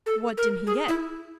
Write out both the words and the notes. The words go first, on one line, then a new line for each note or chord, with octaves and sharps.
"What did he get?"
A4
A#4
G#4
E4